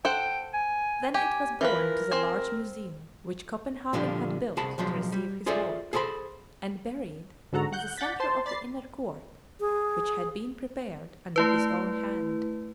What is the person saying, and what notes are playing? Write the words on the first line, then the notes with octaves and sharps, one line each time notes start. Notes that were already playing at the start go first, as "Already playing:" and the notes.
Then it was borne to the large museum which Copenhagen had built to receive his work, and buried in the centre of the inner court, which had been prepared under his own hand.
A4 C5 F#5 G5
G#5
G4 G#5
E3 F3 A#4 B4
C4 C5 G#5
A#2 D3 F3 G3 D4 G4
C2 G#4 A5 B5
B1 F3 F#3 G#3
G3
F4 G#4 A4 C5 D5 E5
G#4 A4 C5 G5 B5
G#2 D3 F#4 A4 F#5 A#5
F#5 F#6 G6
D5 F#5 G6 A6 B6
C5 A5 C6
D5 B5 A6 C7
G#4
A3 E4 B4